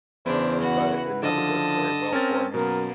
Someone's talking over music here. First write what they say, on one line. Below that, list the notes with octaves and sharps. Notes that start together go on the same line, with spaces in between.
but it never goes very well for me.
E2 C#3 D4 E4 C5
F#4 B4 F#5
D3 F3 D#5 A5
C4 C#4 A#4 A6
F#2 B2 A#3 B3 A#4